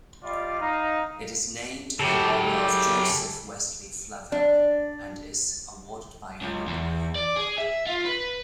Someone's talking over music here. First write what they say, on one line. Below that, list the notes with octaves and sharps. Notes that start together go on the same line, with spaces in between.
It is named in honour of Joseph Wesley Flavelle and is awarded bi-annually.
G3 F4 D5 D#5
D#4 F5
F#2 C#3 G4 A4
D4
C#2
E2
D5
G#4
E5
F4
B4